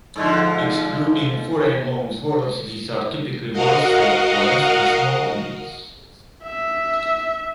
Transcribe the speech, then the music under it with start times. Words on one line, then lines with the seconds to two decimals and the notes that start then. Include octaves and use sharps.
Excluding foreign loan words, these are typically words for plants and small animals.
0.16 G#2 D3 F3
3.52 F#4 A#4 D#5 F5 F#5
6.43 E5